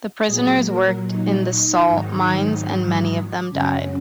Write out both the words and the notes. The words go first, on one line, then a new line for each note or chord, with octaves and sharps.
The prisoners worked in the salt mines and many of them died.
A#2 F#3 G#4
A#4
D#4
G#2 D#3 F#3
F#2 C#3 F#3 C#4